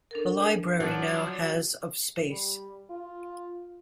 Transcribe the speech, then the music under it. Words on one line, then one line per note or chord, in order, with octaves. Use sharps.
The library now has of space.
D4 A4 A#4
F3 F#3 D5 F#5 A5
G3
F4